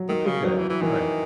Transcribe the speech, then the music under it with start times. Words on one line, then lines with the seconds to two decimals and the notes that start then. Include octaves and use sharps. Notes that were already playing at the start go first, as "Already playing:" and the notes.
Okay, good, alright.
Already playing: F#3
0.09 D#3
0.27 C#3
0.45 D#3 F#3
0.58 E3
0.70 E3
0.81 D#3 E3